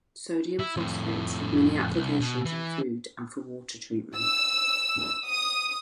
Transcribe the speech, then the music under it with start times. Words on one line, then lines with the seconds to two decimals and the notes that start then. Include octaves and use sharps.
Sodium phosphates have many applications in food and for water treatment.
0.59 E4
0.77 F2 A2
1.93 C2
2.20 B2
2.45 E3
4.17 E6
5.26 D#6